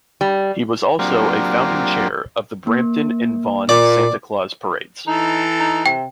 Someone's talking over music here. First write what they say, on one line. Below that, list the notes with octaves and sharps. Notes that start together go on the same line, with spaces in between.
He was also a founding chair of the Brampton and Vaughan Santa Claus Parades.
G3
F#3 A#3 C4 D4 F4 G4
A#3
A#2 D5
E3 D#4 A4
D#4
C3 G5